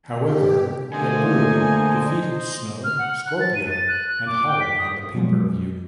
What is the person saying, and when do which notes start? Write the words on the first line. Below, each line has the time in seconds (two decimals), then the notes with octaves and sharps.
However, The Brood defeated Snow, Scorpio, and Holly on the pay-per-view.
0.24 G4
0.93 A#2 D3 A3 A#3 C5 D#5 G#5
2.84 F6
2.99 F#5
3.26 F#6
3.40 A6
3.55 D#7
3.69 A6
3.88 F#6
4.08 F#6
4.26 D6
4.47 G5
4.60 B6
4.78 D#6
5.14 B2 F3 F#3 G#3